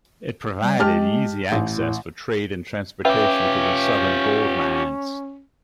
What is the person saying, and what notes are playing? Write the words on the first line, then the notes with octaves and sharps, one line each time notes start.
It provided easy access for trade and transportation to the southern gold mines.
G3
G#3 G4 A5 F6
A1 G#2
A2
C#4 F4 G4 B4 E5 G5